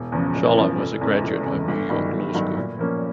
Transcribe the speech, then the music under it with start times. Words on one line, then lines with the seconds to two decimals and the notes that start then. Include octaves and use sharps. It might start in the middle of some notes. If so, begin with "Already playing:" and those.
Scholer was a graduate of New York Law School.
Already playing: E1
0.12 E2 C#3 F3
0.35 E1
0.57 E2 C#3 F3
0.79 F1
1.01 E2 C#3 E3 G#3
1.24 F1
1.46 E2 C#3 E3 G#3
1.68 G1
1.89 G2 D#3 F#3
2.12 G1
2.34 G2 D#3 F#3
2.57 A#2
2.79 F3 A#3 C#4